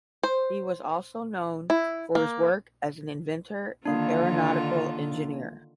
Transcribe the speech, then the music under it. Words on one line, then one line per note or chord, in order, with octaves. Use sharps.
He was also known for his work as an inventor and aeronautical engineer.
C5
E4
A#3
D3 D#3 A#3 D4 F4